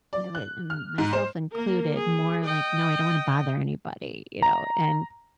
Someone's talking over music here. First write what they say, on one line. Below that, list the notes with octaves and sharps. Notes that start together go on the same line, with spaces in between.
uh, I I wouldn't myself included, more like, "No, I don't wanna bother anybody," you know, and
D5
F#6
F6
G#2
C5
A#3 A#4
G#4
D#5 G5
A#5